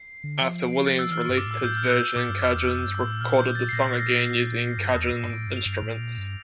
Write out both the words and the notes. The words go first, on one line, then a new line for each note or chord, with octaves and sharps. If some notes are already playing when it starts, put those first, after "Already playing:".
After Williams released his version, Cajuns recorded the song again using Cajun instruments.
Already playing: C7
D3
F3
D7
C7
A6
E6
E3 F6
G2
D6
A2 E6
A2 G6
A#2 F6
E6
A#2 D6
G2
F2 D6
E2
F2 D6
G2
E6
A2
A#2 F6
G6
A6
C7
A#2 A#6
A#6
C7
G2
E2
A#2
G2
A2 D7
G2
F7
G2
A2
A#2
G2